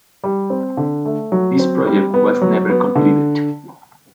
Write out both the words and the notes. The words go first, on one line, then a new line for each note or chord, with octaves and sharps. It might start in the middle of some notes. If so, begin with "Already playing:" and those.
This project was never completed.
G3
C4
D3
A3
F#3
C4
G3
B3
F#3
B3
D3